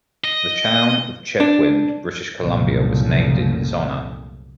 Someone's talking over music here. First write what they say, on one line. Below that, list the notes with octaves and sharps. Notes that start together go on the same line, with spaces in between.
The town of Chetwynd, British Columbia was named in his honor.
D#5
D4
C2 F#2 A#2 C#3 F3 A3